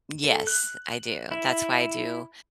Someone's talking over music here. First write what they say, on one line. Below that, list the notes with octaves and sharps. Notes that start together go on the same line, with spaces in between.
Yes. I do. That's why I do,
A4
F#6
E4